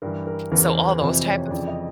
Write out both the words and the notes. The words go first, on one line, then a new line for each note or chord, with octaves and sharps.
so all those type of
G2 E3 A#4
A#4
E2 C#3 E3 A#4
C5
B4
F2 C3 E3 C5
C#5
F2 C#3 E3 D5
D#5